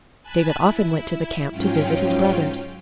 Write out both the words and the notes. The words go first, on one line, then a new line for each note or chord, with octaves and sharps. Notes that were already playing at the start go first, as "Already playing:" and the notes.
David often went to the camp to visit his brothers.
G#5 A5 B5 F#6
E4
G#2 F#3 C#4 F4 G5